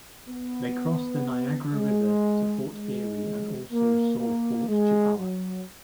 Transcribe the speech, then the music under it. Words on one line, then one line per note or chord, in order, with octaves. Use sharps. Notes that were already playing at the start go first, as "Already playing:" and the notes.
They crossed the Niagara River to Fort Erie and also saw Fort Chippawa.
B3
G#3
G#3
A#3
A#3
G#3
F#3